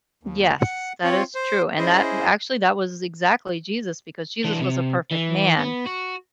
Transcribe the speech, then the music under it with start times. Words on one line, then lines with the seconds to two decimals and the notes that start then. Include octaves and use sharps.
Yes, that is true, and that w actually that was exactly Jesus because Jesus was a perfect man,
0.23 D#2
0.60 F#5
1.04 C4 F4 C#5
1.35 C5
1.78 C#4 E4 G#4 C5 D#5
4.44 E3 D4
4.61 C3
5.11 E3
5.59 B3
5.86 F#4